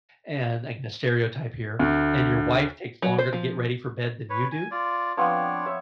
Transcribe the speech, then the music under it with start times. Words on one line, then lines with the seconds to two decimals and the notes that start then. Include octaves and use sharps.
and I can just stereotype here, and your wife takes longer to get ready for bed than you do?
1.79 D2
3.02 F#3
3.18 C5
3.33 F3
4.30 B4 C#5
4.52 G#5
4.71 F4 D5
5.17 F3 B3 C4 D4 C#5
5.66 C#5 E5